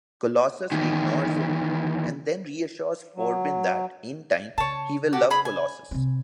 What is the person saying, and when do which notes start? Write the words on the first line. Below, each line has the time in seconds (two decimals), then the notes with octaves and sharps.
Colossus ignores him, and then reassures Forbin that, in time, he will love Colossus.
0.72 E2 D#3
3.16 F#3
4.58 C#3 C#5 A5
5.13 F#4 G4 A5
5.30 G#4 B5
5.45 G#5
5.91 C3 C4